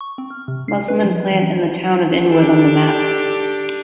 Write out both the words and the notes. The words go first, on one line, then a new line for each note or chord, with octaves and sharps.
Musselman plant and the town of Inwood on the map.
C#6
C4
F6
C3
C7
B4
F3
E3
D4 G4 A4